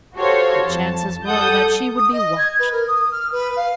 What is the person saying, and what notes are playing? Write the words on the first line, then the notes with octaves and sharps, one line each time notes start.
The chances were that she would be watched.
F#4 G4 A4 C5 C#5 F5
F2 A5
G3 A4 F#5 D#6 G6
D#6
D#5
G#6
B4
A#4
D#6
F6
B4
F5